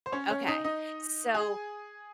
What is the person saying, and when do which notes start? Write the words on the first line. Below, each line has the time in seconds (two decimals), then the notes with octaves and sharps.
Okay, so
0.06 C5
0.12 C#4 C#5
0.30 C#4 C#5
0.48 D#4 D#5
0.64 D#4 D#5
1.34 G#4 G#5